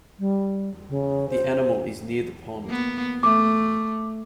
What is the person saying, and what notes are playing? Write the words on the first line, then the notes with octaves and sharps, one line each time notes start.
The animal is near the pond.
G3
C#3
C5
A#3 B3
A3 D6